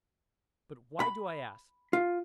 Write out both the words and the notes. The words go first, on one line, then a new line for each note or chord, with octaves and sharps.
But why do I ask?
B5
F4